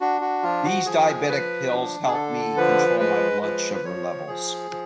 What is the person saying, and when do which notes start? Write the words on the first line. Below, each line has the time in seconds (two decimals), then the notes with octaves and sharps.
These diabetic pills help me control my blood sugar levels.
0.01 D4 F#4
0.21 F#4
0.43 F3 F4
0.64 F#4
0.86 F3 G#4
1.29 F3 B4
1.71 D4
2.07 G#4
2.14 D3 A4
2.57 F3 B4
2.99 G#3 B4
3.42 F3 B4
3.74 B4
3.85 F3 C#5
4.28 F3 G#4
4.71 F3